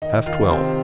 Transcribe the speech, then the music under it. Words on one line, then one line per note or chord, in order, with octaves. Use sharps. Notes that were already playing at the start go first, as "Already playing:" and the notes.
Half twelve.
D#3 D#4 D#5
D#3 F4 F5
C3 C4 C5